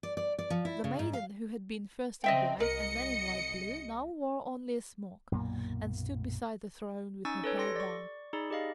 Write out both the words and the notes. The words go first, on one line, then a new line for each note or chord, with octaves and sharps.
The maiden who had been first in white and then in light blue, now wore only a smock, and stood beside the throne with her hair down.
D5
D5
D5
F3
E4
C#3
G#2
F5
C#3 C4 D#5 E5 G5
C2 A#4 D#5 C#7
B1 F#2 A#2 A#3
C#4 D#4 G#5 C#6 E6 A6
A4 B4 C#5
G4 A4 C6 A#6 C#7
D5 C#6
D#4 G#4 D5 B5
G4 G#4 D#5 F5